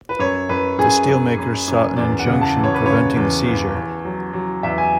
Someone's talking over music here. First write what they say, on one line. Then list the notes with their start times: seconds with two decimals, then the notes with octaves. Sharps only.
The steelmakers sought an injunction preventing the seizure.
0.09 B4
0.19 F#2 C#5
0.49 F#2 B4
0.78 F#2 G#4
1.08 F#2
1.37 F#2
1.68 F#2
1.97 E2 D5
2.19 F#5
2.26 C#3
2.41 A5
2.56 E3
2.64 C#5
2.74 B4
2.86 C#3 C#5
3.16 E2
3.45 E2
3.75 E2
4.05 F#3
4.33 F#3
4.63 E2 E5
4.78 G#5